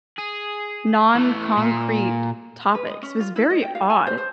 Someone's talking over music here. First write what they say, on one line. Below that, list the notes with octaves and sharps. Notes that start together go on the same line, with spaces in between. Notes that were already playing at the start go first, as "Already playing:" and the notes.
non-concrete topics. It was very odd.
G#4
E3 A3
A#2
B4
D#5
C#4
F4
E4
D#5
G5
F5
G#5
C5
C5